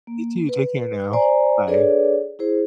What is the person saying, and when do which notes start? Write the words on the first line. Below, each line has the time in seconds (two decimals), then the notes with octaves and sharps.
You too, take care now, bye.
0.07 A#3
0.49 B4
1.13 C5 D5 G#5 A#5
1.67 D4 G#4 A4 B4 C#5 D5
2.39 E4 G#4 C5